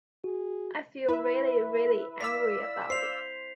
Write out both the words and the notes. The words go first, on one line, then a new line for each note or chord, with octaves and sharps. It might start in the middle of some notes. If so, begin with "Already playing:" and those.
I feel really, really angry about it.
F#4 G#4
E4 B4 E5
D5 F5 E6 B6
C5 C7 F7